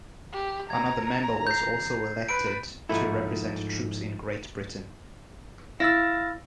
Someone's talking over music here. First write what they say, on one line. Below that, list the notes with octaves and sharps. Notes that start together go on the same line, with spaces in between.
Another member was also elected to represent troops in Great Britain.
G4
A#5 G#6
G6 C7
B4 D7
G#2 F3 A3 E4
E4 F5 E6 A6 A#6